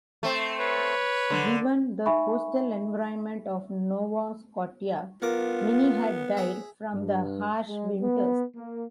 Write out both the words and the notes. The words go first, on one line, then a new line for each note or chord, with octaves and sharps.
Given the coastal environment of Nova Scotia, many had died from the harsh winters.
A3 C4
B4 C#5
D3
D#4 E5 G#5 B5 C#6
B3 F4 A#4 D6
G#4 E5
G2
G#3
B3
A#3